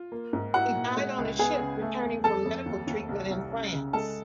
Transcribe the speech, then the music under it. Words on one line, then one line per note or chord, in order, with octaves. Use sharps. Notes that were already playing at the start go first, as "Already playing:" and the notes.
He died on a ship returning from medical treatment in France.
Already playing: F4
A#3
G#2
E4 F#4 F#5
A#2
G#3
C#2
B3 G#4 G#5
C#3
A3
E2
F2 A4 A5
F2
D#2
D#2
C2
C2
C#4
C#3
G#3 A4 A5